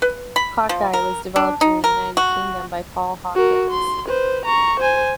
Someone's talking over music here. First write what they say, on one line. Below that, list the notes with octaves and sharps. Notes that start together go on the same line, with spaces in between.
Hawk-Eye was developed in the United Kingdom by Paul Hawkins.
B4
B5
F3
A#4
D4
D#4
A#4
F#4
F#4 A#4
C6
B4 C5
A#5 C#6
C5 G#5